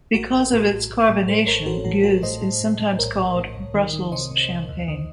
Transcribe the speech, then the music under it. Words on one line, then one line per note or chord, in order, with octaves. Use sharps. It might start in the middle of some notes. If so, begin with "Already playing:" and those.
Because of its carbonation, gueuze is sometimes called "Brussels Champagne".
A1 F#4 A#4
A1
A2
A1
A1
A2
A2 A4 C5
A1 A#4 C#5
A1 F#4 A#4
A2 F#4
A1 F#4
A2 C5 D#5
A2
A2
A2
A#1 A#4 C#5
A#1
A2
C2
D#3
D#3
C3 C5 D#5
C3
C2
D#2
D#3